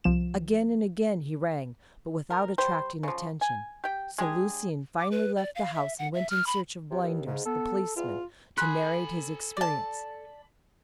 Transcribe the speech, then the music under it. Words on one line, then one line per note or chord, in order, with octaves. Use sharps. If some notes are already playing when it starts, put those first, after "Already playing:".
Again and again he rang, but without attracting attention; so Lucian finally left the house and went in search of Blinders, the policeman, to narrate his experience.
C2 F3 E7
A#4
G3 C5
C#3 F3
G#5
G4 G5
G#3 D4 G4 G#4
D6
B4
D5
F5
E5
F#5
E5
F6
B5
C3
D#2
G#2 C#3
B3 A4
E2 F4
A4 G#5 B5 C6 F#6
D5 A5